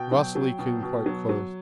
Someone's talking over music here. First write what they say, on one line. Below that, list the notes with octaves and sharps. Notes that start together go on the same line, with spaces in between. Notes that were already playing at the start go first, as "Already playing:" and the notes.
Vasily came quite close.
Already playing: B2 G5
F#3
F#3
B2
B2
F#3
F#3